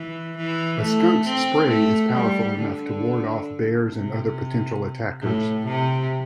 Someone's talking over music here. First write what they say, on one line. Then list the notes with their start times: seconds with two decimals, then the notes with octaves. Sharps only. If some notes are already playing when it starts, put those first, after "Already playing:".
A skunk's spray is powerful enough to ward off bears and other potential attackers.
Already playing: E3
0.37 E3
0.82 A3
1.26 C4
1.70 A3
2.13 G3
2.58 D3
3.90 C3
5.21 A2
5.66 C3